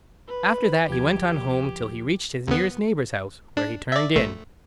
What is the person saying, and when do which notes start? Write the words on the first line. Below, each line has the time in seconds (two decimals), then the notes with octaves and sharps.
After that he went on home till he reached his nearest neighbour's house, where he turned in.
0.27 B4
0.89 D2 F3 G4 G#6
2.47 D#2 B3
3.57 D4
3.92 D5 E5
4.15 A#1 A3